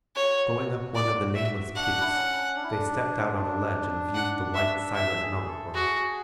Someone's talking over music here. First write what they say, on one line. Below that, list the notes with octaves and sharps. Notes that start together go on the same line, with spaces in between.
Going up one of the nameless peaks, they stepped out on a ledge and viewed the white, silent mountain-world.
F#4 C#5
D5
E5
D4 F#5
F#4
E4
D4
C#4
D4
E4
D4
D4
F#5
E5
F#4 E5
G#4
A4
F#4 G#4